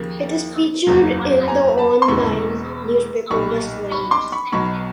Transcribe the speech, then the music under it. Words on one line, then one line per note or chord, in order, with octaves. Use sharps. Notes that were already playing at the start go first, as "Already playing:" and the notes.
It is featured in the on-line newspaper "West Word".
Already playing: D#2 C#3 F3 A#3
F#1 E2 C#3 F#3
G#5 A#5
A5 B5
C6
E1 E2 C#3 E3 G#3 B5 C#6
B1 A#2 G3 B5 C#6
B5 C#6
C6 D6
B5 C#6
B1 B2 F#3 B5 C#6